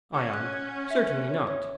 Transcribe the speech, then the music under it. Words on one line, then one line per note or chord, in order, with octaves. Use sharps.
ION: Certainly not.
C#4 F#5
F#6
F#6
F#5
E5
F#6
C#5
C#5